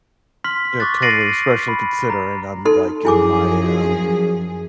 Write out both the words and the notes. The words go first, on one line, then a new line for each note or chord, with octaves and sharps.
Yeah, totally, especially considering I'm, like, in my, um
C6 F6 B6 F#7
C#6 D6 F#6 A6
A6 A#6 C7 D7 D#7 F#7
B5
A#5
D#4 A4 C6
F#2 F3 E4 G#4 G#5 D6